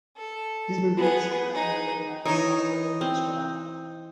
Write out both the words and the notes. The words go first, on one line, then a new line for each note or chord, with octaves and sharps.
These brigades are under the command of Kostrad and each Kodam.
A4
B3 G#4
D#4 G#4
E3 D#4 C#5
C4